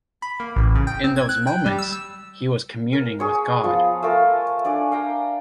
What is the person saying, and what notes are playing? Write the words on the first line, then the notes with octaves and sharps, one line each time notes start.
In those moments, he was communing with God.
B5
A#3
A1
C#3
G5
C4
G#6
F#6
G5
G3
E6
E6
A#4
G#4 C#5 C6
F3 B3 F4
A3 F4 A#4 E6
D4 D5 F#5 G#5
F5 G5 A#5